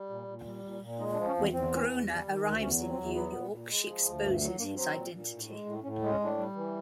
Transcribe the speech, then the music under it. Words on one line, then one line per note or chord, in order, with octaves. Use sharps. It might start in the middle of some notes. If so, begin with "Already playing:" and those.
When Gruner arrives in New York, she exposes his identity.
Already playing: G3
A#2
A#2
G3
A#2
A#2
G#3 D#4
D4
F3
C#4
E2 C4
E2 C4
E3
E2
G3
D#3
D2
E2 C#4
F#3
C4
E2
F#3 B3
A#2
A#2
G#3
F3
D2
G2 A#3
F#3 A3
G2 A#3
F#3 C4
A#2
A#2
A2
G#3
A2
A2 C#4
G#3
C#4
A2 D4
G3
E3